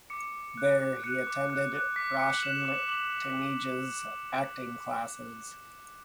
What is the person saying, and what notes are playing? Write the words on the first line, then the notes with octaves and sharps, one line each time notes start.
There, he attended Roshan Taneja's acting classes.
D6 C#7
D6
F#6
D6
F#6 C#7
D6
F#6
F#6
D6 B6
D6 C#7
F#7
F#6 E7
D6 E7
D6 F#7